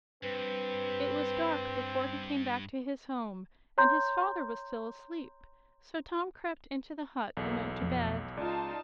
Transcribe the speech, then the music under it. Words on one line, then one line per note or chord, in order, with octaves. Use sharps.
It was dark before he came back to his home, and his father was still asleep; so Tom crept into the hut and went to bed.
G2 C4 B4
C#5 A#5 C6 G6
B1 E2 A4
F2 B2
C#2 D#4 F4 D5 A5